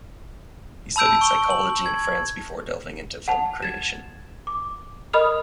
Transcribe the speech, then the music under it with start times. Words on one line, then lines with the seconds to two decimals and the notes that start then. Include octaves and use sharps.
He studied psychology in France before delving into film creation.
0.96 A5 B5 E6 G6 D7
1.21 C#6 G7
1.50 F#7
1.86 G#6
3.28 F#5 A5 F7
3.62 G#6 A6 E7
4.47 D6
5.13 A#4 D#5 B5 D#6 F6 F7